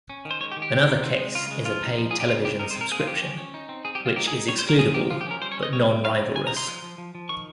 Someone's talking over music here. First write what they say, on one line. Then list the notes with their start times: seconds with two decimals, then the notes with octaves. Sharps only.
Another case is a pay television subscription, which is excludable but non-rivalrous.
0.10 C#4
0.25 D#3
0.31 C5
0.40 G#3 C#5
0.52 G4
0.57 D#3
0.62 G4
0.72 D#3
0.88 D#3
1.03 C4
1.19 G#3
1.35 C#3 F4
1.51 G#3
1.65 F3 F4
1.82 D#4
1.98 F3
2.11 A#3 G#4
2.20 G4
2.28 C#3 F4
2.45 C4 G4
2.59 D#4 A#4
2.71 C5
2.76 C4
2.81 A#4
2.91 A#3 G#4
2.99 F4
3.07 F3 G4
3.22 C#4
3.38 C#4
3.54 D#4
3.69 C4
3.85 C4 G#4
3.95 G4
4.00 G3
4.06 F4
4.16 D#4 G4
4.28 G#4
4.32 D#4
4.48 G3 C#5
4.59 C5
4.63 G3
4.69 A#4
4.79 F3 G#4
4.94 A#3 G4
5.10 F3 F4
5.21 G4
5.27 C#4 A#4
5.41 G3 C5
5.52 C#5
5.58 C#4 D#5
5.73 G3 C#5
5.89 G3
6.04 D#4 F5
6.20 C#3
6.35 C4 G#5
6.47 A#5
6.51 D#4
6.57 C6
6.67 F3
6.82 F3
6.98 F3
7.15 F3
7.29 D#3 C#6